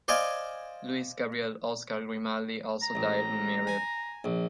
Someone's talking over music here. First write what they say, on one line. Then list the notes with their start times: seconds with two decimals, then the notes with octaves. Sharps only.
Louis-Gabriel-Oscar Grimaldi also died unmarried.
0.08 C5 D5 D#5 F5 G#5
2.82 A#5
2.95 A1
3.67 G#5
4.24 A#1